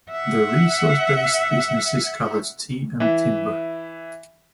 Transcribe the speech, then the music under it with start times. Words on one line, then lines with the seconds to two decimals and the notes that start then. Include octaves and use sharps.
The resource-based businesses covered tea and timber.
0.11 E5 F#5
3.00 E3 E5